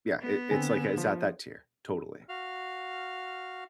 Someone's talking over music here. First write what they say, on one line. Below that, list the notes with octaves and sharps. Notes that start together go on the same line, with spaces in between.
yeah, it it's like it's at that tier, totally,
B3
D3 C4 G#5
F3
F#4 F5 F6